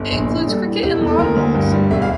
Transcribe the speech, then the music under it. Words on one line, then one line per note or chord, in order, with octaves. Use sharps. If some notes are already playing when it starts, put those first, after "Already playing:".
It includes cricket and lawn bowls.
Already playing: G1
A#1
A#1
G3 A4
E3
E1 G4
A4
E2
A4
D2 A#4
D2
G2
G3
E1 E5
F5